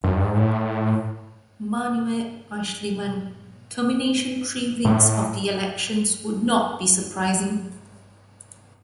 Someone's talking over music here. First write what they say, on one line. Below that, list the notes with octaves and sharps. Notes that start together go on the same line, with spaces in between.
Manuel Aeschlimann, termination three weeks of the elections would not be surprising.
F#2
G2
G#2
A2
A2